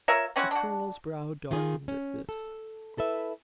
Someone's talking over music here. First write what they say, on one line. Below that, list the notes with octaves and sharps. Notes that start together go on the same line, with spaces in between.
The Colonel's brow darkened at this.
F4 A#4 C#5 E5
C4 C#4 E4 F#4
D4 F#4
D#3 F4 G#4
C#4
A4
E4 A4 B4 E5